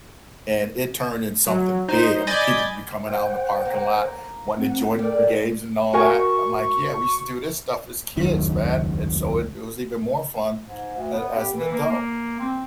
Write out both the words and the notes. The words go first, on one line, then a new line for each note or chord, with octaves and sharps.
and it turned in something big I mean, people would be coming out in the parking lot, wanting to join the games and all that. I'm like, yeah, we used to do this stuff as kids, man, and so it it was even more fun a as an adult.
F#3
D#4 C5
D5 D#5 G#5 B5 G6 A6
C5 F#5 G5
A#3
C4 F#5
A4 A#4 D5 G5
F#4 A#4 G#5 C#6
E1 C#2 F#2 D#3
G#2
D2
B3
G4
E3
A#3
A#3
C4